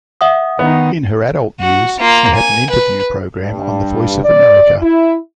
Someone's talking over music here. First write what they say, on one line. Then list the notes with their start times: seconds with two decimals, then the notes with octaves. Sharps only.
In her adult years, she had an interview program on the Voice of America.
0.21 E5 F#5 D#6
0.59 D#3 B3 D#4
1.60 F#4
1.99 A#3 F4
2.35 G#5
2.70 B4
3.42 G2
4.25 D5
4.81 E4